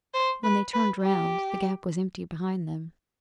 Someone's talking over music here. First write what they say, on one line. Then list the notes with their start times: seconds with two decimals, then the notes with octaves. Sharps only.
When they turned round The Gap was empty behind them.
0.14 C5
0.44 B4
0.73 B4
1.02 G4